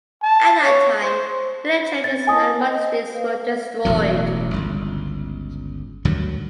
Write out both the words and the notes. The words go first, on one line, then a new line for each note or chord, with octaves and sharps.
At that time many churches and monasteries were destroyed.
A5
C#5
C5
C4 A6
E4 D#5 G#5 A5 D#6
D#5
B4 F5
E1 A1 F#3
G1 C#2
D2 G2 D#3 F#3